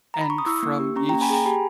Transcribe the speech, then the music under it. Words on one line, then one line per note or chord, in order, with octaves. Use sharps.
and from each
A#5
B5
C#6
D#6
E4 C#6 E6
A#3
G4
C#4 A#5 C#6
A#3 G5 A#5
G#5 B5
G#4 G5 A#5
G4 G#5 B5